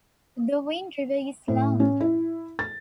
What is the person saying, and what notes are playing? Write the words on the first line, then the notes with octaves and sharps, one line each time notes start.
The Wind River is long.
A2
C#4
E4
A6